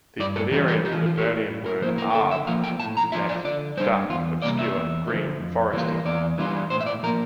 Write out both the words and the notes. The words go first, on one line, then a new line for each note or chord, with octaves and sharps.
The Illyrian-Liburnian word "Arb" meant 'dark, obscure, green, forested'.
G2 D5
A4
E3 G3 C4 F4 G4
G4
E3 G4
F4
F4
A3 E4 G4
A2
A#4
F3 A#3 E4 C5
A#4
D3 A4
E5
F3 A#3 F4 F5
G5
A2 A5
A#5
F3 A3 D4 F4 E5
D5
D3 D5
G3 D4 C5
E2 F4
C3 G3 A#3 D5
E5
E2
D3 F3 A3
F2
E3 G3 A#3 F4
E2 D5
E3 G3 D4 F4
A2 C5
E5
D5
F3 A#3 A#4